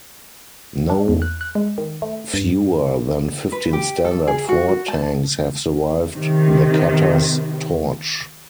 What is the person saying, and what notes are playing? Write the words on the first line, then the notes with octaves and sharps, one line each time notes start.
No fewer than fifteen Standard Four tanks have survived the cutter's torch.
D4
E2
F#6
F#6
G#3
D#3
A3
G2
B4
G4
A4
G#4
F#4
F#4
A5
C3 D#3